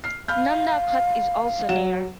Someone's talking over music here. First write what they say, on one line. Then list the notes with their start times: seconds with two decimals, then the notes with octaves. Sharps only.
Nanda Khat is also near.
0.04 F6 C7
0.28 F5 B5 F6 G6
1.69 F#3 F#5 E7